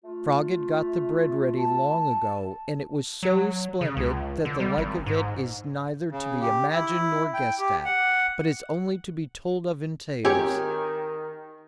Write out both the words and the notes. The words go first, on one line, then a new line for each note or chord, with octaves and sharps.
The frog had got the bread ready long ago, and it was so splendid that the like of it is neither to be imagined nor guessed at, but is only to be told of in tales.
A3 F4
A5
F#3
C#3
C#2
D3
G3
G#1
G#2
C#3
G4
E4
G5
G4
F#5
D#3 C4 G4 G#4 C#5 G#5